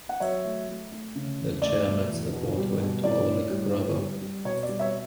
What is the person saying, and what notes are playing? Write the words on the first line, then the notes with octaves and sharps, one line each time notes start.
The Chairman's Award went to Oleg Grabar.
F#5
F#3 C#5 E5
A3
A3
A3
C#3
E2
A3 D5
B2
E2
B2
G3
B2
A2 D5
A2
G3
A2
G3
G3
B2 C#5
D5
G3
C#5 E5